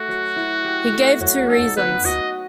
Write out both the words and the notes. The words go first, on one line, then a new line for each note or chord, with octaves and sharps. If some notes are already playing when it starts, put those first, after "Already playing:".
He gave two reasons.
Already playing: A3 F#4 A4
F#3
E4
G4
A3
F#3 F#4
D#4 A4
B3 B4
F#4 D#5